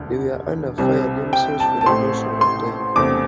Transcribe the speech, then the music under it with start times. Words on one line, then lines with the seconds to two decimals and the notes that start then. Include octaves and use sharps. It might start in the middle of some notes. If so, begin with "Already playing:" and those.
They were under fire themselves for most of the time.
Already playing: E1 D2 D3
0.78 C2 C3 G3 C4
1.33 G5
1.60 A5
1.81 A5
1.86 A1 A2 A3 C4 C6
2.41 C6
2.96 E1 E2 C3 A3 C4 D6